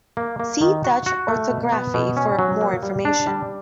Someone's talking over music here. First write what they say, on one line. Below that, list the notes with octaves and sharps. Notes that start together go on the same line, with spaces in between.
See Dutch orthography for more information.
A#3
A#3
D#3
F#4
F#4
A3
B2
B3
B2
C#4
F#3
A#3
G3
D4
G3